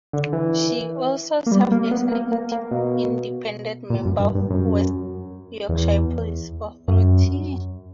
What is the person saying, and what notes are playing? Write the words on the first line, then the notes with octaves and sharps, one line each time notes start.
She also served as an independent member of the West Yorkshire Police Authority.
D3
E3
A#3
G3
A#3
B3
A#3
A#3
A#3
B2
A#2
F#2
G2
G2
F#2
E2
F#2